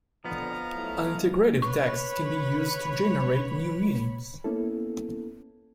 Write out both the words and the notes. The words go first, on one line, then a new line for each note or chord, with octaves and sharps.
An integrative text can be used to generate new meanings.
F2 B2 D3 F3 B3 D#5 F5 A#5
F#3 A3 E4
B4 C#5 B5 C#6
A#3 B3 C#4 E4 A4